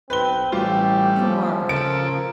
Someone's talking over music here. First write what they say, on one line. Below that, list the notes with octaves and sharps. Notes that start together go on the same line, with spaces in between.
And Margaret?
B1 C4 B4 G7
A1 G3 A3 F4 G4
C#3 F3
C#3 A4 A#4 D7